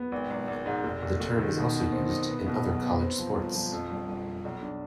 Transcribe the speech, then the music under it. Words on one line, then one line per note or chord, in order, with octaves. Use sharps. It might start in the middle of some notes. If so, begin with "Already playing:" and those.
The term is also used in other college sports.
Already playing: B3
G#1
G#1
G#1
G#2
F1
F1
F1
D#3
B2
B2
C4
D#4
B3
B2
B1
B3
C4
F3
G1
F3
F2
G1
G1
F2
B1
D4